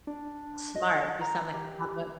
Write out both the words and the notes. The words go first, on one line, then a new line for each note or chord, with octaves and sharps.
Smart. You sound like you have a
D4
D#5
A#5
G4